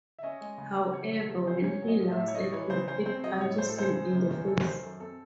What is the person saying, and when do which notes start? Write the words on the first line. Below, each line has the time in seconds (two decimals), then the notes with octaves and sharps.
However, when he laughs at it, it punches him in the face.
0.19 E5
0.23 C#4 D#5
0.41 G#3
0.58 C#3
0.77 C#3
0.93 F#3 C#5
1.12 D#3 A4
1.29 C3 A4
1.46 C#4 C5
1.64 C#4 C#5
1.82 F#3
1.88 D#5
2.00 A2
2.12 E5
2.17 A2
2.28 C#5
2.35 A3 D#5
2.52 E3 C#5
2.70 C#3 C5
2.88 C#4 C5
3.06 C4 C5
3.24 F#3 D#5
3.41 A2 C#5
3.58 A2 C5
3.69 A4
3.76 G#3 C5
3.95 C#3
4.11 F#2
4.29 C#4
4.47 G#3 A4
4.65 D#3 C5
4.83 F#2 A4
5.00 C4 A4